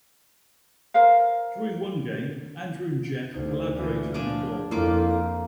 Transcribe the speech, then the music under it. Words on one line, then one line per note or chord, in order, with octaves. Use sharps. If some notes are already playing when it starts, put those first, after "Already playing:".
During one game, Andrew and Geoff collaborated on a goal.
A#4 C5 F5
D2 D#4 C5
D2 E3 D5
F3 D4 G#5 D6
F2 A#3 E4 F4 A4 D6
A#5